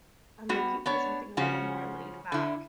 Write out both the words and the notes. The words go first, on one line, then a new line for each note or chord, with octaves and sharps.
I'm looking for something a little more laid back.
G3 B3 F#4
B3 D4 C#5
C#3 F3 C#4 F#4
D3 E4